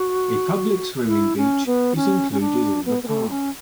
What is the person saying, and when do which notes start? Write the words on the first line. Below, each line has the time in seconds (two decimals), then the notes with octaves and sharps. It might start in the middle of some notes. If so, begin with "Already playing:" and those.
A public swimming beach is included in the park.
Already playing: F#4
1.07 E4
1.37 C#4
1.67 B3
1.96 C#4
2.32 C#4
2.40 D4
2.86 B3
3.03 B3
3.08 A3
3.30 C#4